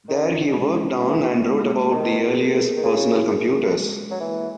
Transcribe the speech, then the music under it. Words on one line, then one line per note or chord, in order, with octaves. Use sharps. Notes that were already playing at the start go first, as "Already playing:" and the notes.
There he worked on and wrote about the earliest personal computers.
D#3 C#4
G#3
E3 A#3
B3
B3
G#3
A#3
A#3
A#3
D#3 B3
B4
A#4
G#4
A#4
G#4
A#4
D#3
C#3 G#4
F#4
A#4
G#4
A#4
G#4
F#4
G#3
F#3
E3 A#3
A#3